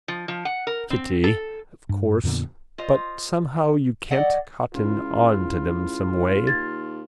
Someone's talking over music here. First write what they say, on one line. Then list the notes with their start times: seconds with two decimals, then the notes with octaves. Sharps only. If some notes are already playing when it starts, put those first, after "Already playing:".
Pity, of course: but somehow you can't cotton on to them someway.
0.08 F3
0.28 F3
0.45 F#5
0.67 A#4
0.90 C4
1.24 A4
1.89 G2
2.23 F2 A#2 D3 B3
2.78 F4 C5 D#5
4.11 F#3 D5 D#5 F#5
4.74 C#2 E4 F4
6.47 D#2 G#6 A6